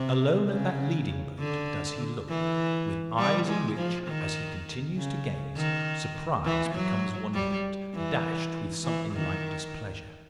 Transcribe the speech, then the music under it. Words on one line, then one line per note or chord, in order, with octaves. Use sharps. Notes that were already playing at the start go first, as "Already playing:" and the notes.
Alone at that leading boat does he look; with eyes in which, as he continues to gaze, surprise becomes wonderment, dashed with something like displeasure.
Already playing: C3
C#3
D3
E3
G3
G#3
F3
D#3
C#3
D#3
E3
F#3
G3
E3
E3
D#3